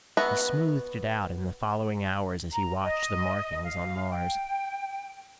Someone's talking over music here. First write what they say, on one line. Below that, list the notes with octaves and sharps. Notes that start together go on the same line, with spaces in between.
He smoothed it out in the following hours as he watched the markings on Mars.
B3 F#4 B4 E5 A#5
A#5
D#5
F5
G5